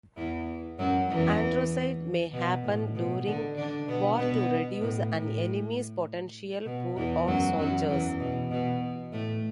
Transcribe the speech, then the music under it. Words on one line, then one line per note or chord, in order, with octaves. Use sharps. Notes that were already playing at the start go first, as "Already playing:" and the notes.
Androcide may happen during war to reduce an enemy's potential pool of soldiers.
E2 E3
F#2 F#3
E2 E3
B2
A2
B2
D3
D3 D4
B2 B3
B2 B3
A2
A2
B2
E2 E3
F#2 F#3
F#2 F#3
E2 E3
B2
B2
A2 A3